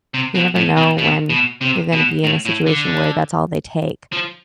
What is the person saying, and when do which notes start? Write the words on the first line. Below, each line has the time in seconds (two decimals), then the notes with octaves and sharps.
you never know when you're gonna be in a situation where that's all they take,
0.14 C3
0.35 B2
0.56 A2
0.77 B2
0.98 B2
1.30 B2
1.61 C3
1.93 B2
2.24 A2
2.46 A2
2.67 D3
4.13 F3